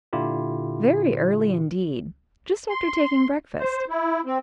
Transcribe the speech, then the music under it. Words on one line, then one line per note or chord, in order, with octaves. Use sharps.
Very early, indeed--just after taking breakfast.
A#2 D3 E4 F4 G4
C6
C5
E4
C4